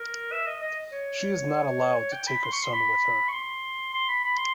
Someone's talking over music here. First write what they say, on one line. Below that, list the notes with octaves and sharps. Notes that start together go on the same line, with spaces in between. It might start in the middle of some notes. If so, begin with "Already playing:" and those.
She is not allowed to take her son with her.
Already playing: A#4
E5
D#5
D#5
C#5
G5
B5
C6
C#6
C6
B5
C#6
C6
C6
B5
B5
C6